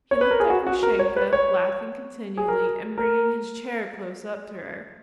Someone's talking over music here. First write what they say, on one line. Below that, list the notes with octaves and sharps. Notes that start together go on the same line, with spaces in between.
He looked at Grushenka, laughing continually, and bringing his chair close up to her.
C#5
B4
A#4
G#4
F#4
F#4
A#4
C#5
B4
C#5
G#4
A#4
A#4